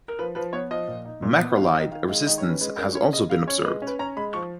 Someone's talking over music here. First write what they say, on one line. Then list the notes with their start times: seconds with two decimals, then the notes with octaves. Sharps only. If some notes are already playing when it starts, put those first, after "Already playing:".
Macrolide resistance has also been observed.
0.08 A#4
0.19 F3 B4
0.35 F3 B4
0.53 B3 C#5
0.71 F3 D#5
0.88 A#2
1.05 D#4
1.22 A#2
1.39 B3
1.57 D#3 F5
1.74 D#3 D#5
1.91 D#3 F5
2.09 G#3 F5
2.27 D#3 D#5
2.38 C#5
2.43 C#4
2.49 B4
2.61 G#3 B4
2.77 C#4 A#4
2.95 C#4 C#5
3.12 C#3 D#5
3.29 C#3 F5
3.47 C#4 C#5
3.64 G#3 B4
3.82 C#4
3.87 B4
3.99 C#4 A#5
4.16 G#3 B5
4.33 F3 C#6